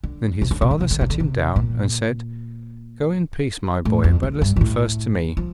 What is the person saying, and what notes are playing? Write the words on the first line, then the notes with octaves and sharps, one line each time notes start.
Then his father sat him down and said, 'Go in peace, my boy, but listen first to me.
D3
C3
D3
C3
D3
C3
D3
C3
D3
C3
A#2
A2
F2
F2
G2
G2
A2
F3